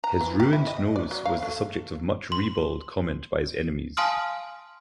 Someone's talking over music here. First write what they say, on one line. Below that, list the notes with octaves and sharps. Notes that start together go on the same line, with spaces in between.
His ruined nose was the subject of much ribald comment by his enemies.
A#5
E3
G4
E4
D#5
D5
F#3
F5
A3
C6
F5 G#5 A5 C6 D#6 F6